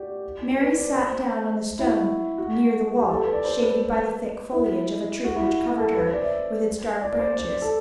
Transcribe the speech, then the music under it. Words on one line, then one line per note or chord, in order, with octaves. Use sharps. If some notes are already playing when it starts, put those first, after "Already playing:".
Mary sat down on the stone near the wall shaded by the thick foliage of a tree which covered her with its dark branches.
Already playing: F#4 G4 D5
C5
B4
D5
C5
E4
F#4
F#4
G4
A4
B4
D5
C5
B4
E4
F#4
E4
F#4
A4
B4
C5
D5
E5
D5
D5
C5
D5
A4